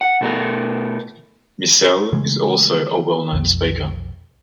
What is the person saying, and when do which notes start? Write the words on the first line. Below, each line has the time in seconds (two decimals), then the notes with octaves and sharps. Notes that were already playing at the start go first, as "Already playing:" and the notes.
Miesel is also a well-known speaker.
0.01 F#5
0.21 B2 A3 B3 A#4
2.13 C#3 E3 G#3 A3
3.33 B1 F2